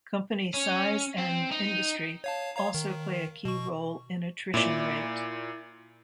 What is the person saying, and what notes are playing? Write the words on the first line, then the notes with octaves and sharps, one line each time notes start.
Company size and industry also play a key role in attrition rate.
C#4
C4
D#4
C#5 F5 A5
C#5 F5 A#5
D#3
B2 C#6
A#2 E4 D5